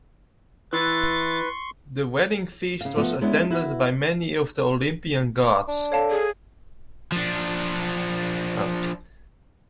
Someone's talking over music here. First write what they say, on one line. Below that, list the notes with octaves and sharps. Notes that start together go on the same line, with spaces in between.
Their wedding feast was attended by many of the Olympian gods.
E3 B4 C6 C#6 A6
C#3 F5
F3 A3 B3 F4 F#4
G#3 B3 C#4 D4 E4
E4 F#4 B4
D4
A4 C#5 F5 A5
G#4
F3 D4